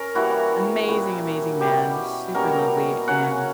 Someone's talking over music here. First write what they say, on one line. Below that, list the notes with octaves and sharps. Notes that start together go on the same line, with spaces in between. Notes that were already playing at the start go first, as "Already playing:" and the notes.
Amazing, amazing man. Super lovely. And,
Already playing: C#4 A#4
E3 G3 A#3 E4 F#4
A#2 G3 C#4 E4
B2 G3 C#4 E4 G4
B2 G3 A#3 C#4 A#4
C#3 F#3 C#4 F#5